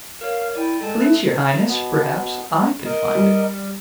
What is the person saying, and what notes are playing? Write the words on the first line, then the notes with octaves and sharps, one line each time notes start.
"Please, Your Highness, perhaps I can find it."
A#4 C#5 F5
E4 D5 G5
G#3 A4 A5
A3 E5
B2 B3
A#4 D#5
G3